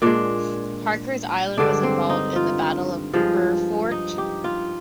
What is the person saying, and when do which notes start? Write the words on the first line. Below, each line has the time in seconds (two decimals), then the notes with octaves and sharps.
Harkers Island was involved in the Battle of Beaufort.
0.02 A#2 G#3 D4
1.57 G2 D3 G#3 D4
1.83 C4
2.10 D#4
2.36 F4
3.13 G2 F3 G#3
3.91 D#4
4.18 G4
4.44 F4